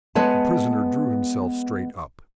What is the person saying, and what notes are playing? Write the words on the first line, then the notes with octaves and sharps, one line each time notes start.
The prisoner drew himself straight up.
G#3 B3 B4 C#5 A5